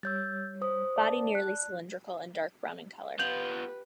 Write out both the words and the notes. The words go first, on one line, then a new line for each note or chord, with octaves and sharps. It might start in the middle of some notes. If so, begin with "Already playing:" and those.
Body nearly cylindrical and dark brown in color.
G3 C#5 E6 G6 A6
C5 D#6
D5 A5
F#6
B3 F4 G4 B4 G6 F7 F#7